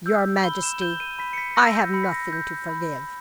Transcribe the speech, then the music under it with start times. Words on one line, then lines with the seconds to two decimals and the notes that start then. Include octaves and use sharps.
"Your majesty, I have nothing to forgive."
0.06 E6 G6
0.44 B5 G7
0.63 E7
0.81 G6 G7
1.00 D#7
1.19 B5 B6
1.33 C#7
1.38 B6
1.51 B6
1.56 E6 A#6
1.75 G6
1.94 B5 C#7
2.03 B6
2.13 A#6
2.33 G6
2.69 B5